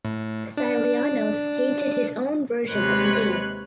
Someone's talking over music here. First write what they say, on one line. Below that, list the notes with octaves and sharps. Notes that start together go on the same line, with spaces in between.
Stylianos painted his own version of the theme.
A2
D4
D#2 C3 G#3 B4 C#5 F#6